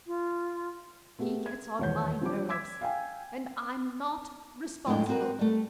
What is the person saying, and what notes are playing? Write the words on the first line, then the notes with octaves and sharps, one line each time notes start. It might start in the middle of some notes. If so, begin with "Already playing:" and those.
She gets on my nerves, and I'm not responsible.
F4
A3 B3 G4 G#4
G#6
D#1 E2 C#5 F#5 G6
F3 G3 D4 D6
D6 E6 G#6 B6
F5 G5 G#5
F2 A2 F#3 G#3 D4 G5
C4 F#4 A#4 B4
G3 A3